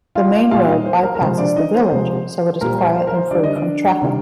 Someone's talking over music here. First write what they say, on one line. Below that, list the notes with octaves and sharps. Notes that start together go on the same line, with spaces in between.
The main road bypasses the village so it is quiet and free from traffic.
F4 F5
A#2 G3 F4 F5
D#4 D#5
C5
A#4
A#4
C3 F3 G#3 C5
D4 D5
D#4 D#5
C5
C3 F3 G#3
A#2 G3 A#4
C5
C5
A#4
C5
D3 G3 D5
D#5
D4 D5
C3 D#3 G3